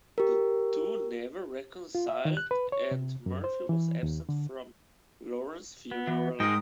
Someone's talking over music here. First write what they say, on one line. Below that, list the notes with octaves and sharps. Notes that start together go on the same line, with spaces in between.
The two never reconciled and Murphy was absent from Lawrence's funeral.
G4 A#4
F4
E5
D#3
F#6
B4
C#5
C3
F#2
C5
E3
D#2
D3
B3
E3
G#2 G#3 D#4 A#4 G5 D#6